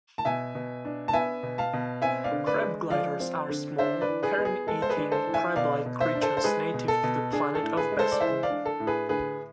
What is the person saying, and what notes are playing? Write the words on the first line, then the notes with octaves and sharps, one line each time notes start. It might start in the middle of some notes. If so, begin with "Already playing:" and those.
"Crab gliders" are small, carrion eating crablike creatures native to the planet of Bespin.
A5
B2 E5 G#5
B2
D4
A5
B3 E5 G#5
B2
F5 A5
B2
C4 E5 G#5
D5 F5
D3
B4 D5
G#3
F3 D5 F5
C4
D3
D4 C5 E5
B4 D5
E3
G#4 B4
B3
G#4
G#3 A4
C5
G#4 B4
D4
A4 C5
E3
E5 G#5
B2 D5 F5
B2
C5 E5
D4
A4 C5
C5
G#3 G#4 B4
B2
A4
B2
D4 G#4
A4
A2
G#4 B4
G#3
A4 C5
D5
E3 C5 E5
D5 F5
D4
A4
A2
G#4 B4
D3 G#4 B4